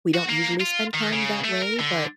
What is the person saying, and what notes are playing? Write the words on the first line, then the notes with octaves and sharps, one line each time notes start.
we don't usually spend time that way, but
F#4
A#3
F4
D#3
C#3
A3
A#4
D3